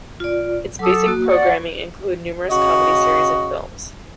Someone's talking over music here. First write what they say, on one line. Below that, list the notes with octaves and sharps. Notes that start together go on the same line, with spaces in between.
Its basic programming include numerous comedy series and films.
F4 D5
F#3 A4 D6 D#6
A#3 F#4
D5 F#5 C#6
C#3 F#4 D#5